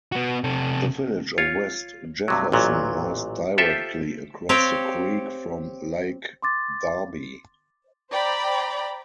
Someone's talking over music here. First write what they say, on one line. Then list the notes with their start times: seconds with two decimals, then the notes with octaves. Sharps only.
The village of West Jefferson lies directly across the creek from Lake Darby.
0.12 B3 F#4
0.44 C3 A4
1.38 F4 C#5
2.28 G2 C3 F#3
2.52 A1 A#2 F#3
3.58 F4 G4 A4 C5 E5
4.49 C4 G4 C#5 F5 G5
6.42 C6 D6 A6
8.11 C5 D5 G5 A#5 B5